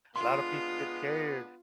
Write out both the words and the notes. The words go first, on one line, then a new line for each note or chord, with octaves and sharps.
Lotta people get scared
G#3 B3 D4 F4 C6